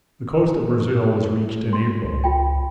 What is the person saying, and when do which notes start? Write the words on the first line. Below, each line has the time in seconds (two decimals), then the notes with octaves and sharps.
The coast of Brazil was reached in April.
1.73 C6
2.04 C#2
2.24 F4 G5